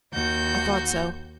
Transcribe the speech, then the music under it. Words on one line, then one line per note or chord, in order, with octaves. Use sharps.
I thought so.
D#2 F#4 G6